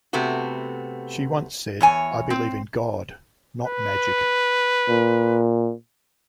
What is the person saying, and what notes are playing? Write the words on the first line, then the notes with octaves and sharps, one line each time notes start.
She once said, I believe in God, not magic.
C3 A3 B3 F#4
E2 C#5 G#5
C4
B4
A#2